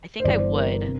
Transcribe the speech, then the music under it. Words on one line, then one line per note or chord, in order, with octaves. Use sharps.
I think I would,
C5
G1 G2 E3 D5
C5
A#4
C3